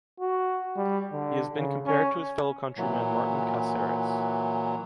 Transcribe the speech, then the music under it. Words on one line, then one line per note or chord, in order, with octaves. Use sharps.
He has been compared to his fellow countryman Martin Caceres.
F#4
G3
D3
C#3
C#4
A#2 E3 F#3